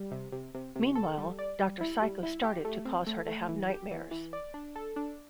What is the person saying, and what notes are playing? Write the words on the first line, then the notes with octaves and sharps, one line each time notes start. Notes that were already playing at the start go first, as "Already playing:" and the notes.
Meanwhile, Doctor Psycho started to cause her to have nightmares.
Already playing: G3
C3
C3
C3
C3
A4
G3
D5
G3
E4
G3
E4
G4
A3
C4
A3
A3
E3
G4
E3
E3
D5
D4
A4
D4